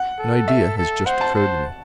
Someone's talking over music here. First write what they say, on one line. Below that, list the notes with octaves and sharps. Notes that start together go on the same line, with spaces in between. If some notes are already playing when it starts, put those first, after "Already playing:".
"An idea has just occurred to me."
Already playing: F#5
A4
E5
A4
C5 F#5
A5
C5